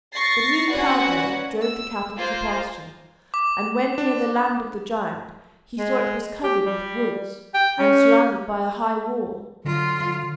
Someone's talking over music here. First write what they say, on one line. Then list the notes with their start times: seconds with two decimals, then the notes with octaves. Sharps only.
The new cowboy drove the cattle to pasture, and when near the land of the giant, he saw it was covered with woods and surrounded by a high wall.
0.14 C#6 A6 A#6 C7
0.71 A#3 C#4 F#4 B4 D5 F#5
1.63 E6
2.17 A#3 F4 C5
3.34 D6
3.98 D4
5.77 G#3
6.43 G4
6.66 G3
7.54 G5
7.79 C#4
9.65 D3 F#3 F4